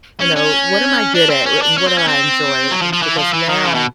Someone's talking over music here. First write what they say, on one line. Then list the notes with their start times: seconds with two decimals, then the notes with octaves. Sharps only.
you know, "What am I good at? R what do I enjoy?" Because now
0.21 C#4
0.37 C#4
1.15 D4
1.30 C4
1.46 C#4
1.62 D4
1.78 C#4
1.88 C4
1.98 C#4
2.08 C4
2.71 F#3
2.81 F3
2.93 F3
3.02 E3
3.17 F3
3.33 E3
3.49 D#3
3.65 C#3
3.74 B2